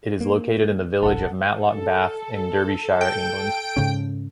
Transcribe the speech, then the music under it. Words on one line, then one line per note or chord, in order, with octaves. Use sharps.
It is located in the village of Matlock Bath in Derbyshire, England.
A#3
E1 A#1 A4 F#5 A5
A4
G5
G#2 C#3 C#4